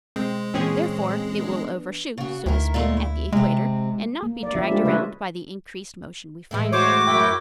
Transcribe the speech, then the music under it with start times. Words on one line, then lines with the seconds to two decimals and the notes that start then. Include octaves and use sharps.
Therefore it will overshoot, so to speak, at the equator, and not be dragged around by the increased motion we find there.
0.16 B2 G#3 C4
0.54 A#2 E3 C4 C#4 G#4
1.39 B3 D4
2.18 C#3 F#4
2.46 D2 D#3 E4 A#4
2.74 A#2 G#3 A3
2.97 E4
3.32 C3 G#3 C4
4.23 A#3
4.43 D5
4.55 F3 C#4 E4 E5
4.70 G#3 A3 D4 F4 G4 A4
4.84 C#3 G3 B4 C#5 D#5 E5
6.51 A2 E3 G#3
6.73 F#4 C5 C#5 D6
7.07 F#2 E4 G5